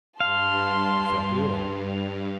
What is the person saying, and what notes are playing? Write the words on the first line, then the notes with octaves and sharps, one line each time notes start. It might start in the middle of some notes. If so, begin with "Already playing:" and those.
He felt ill.
G2 F5 A5 C6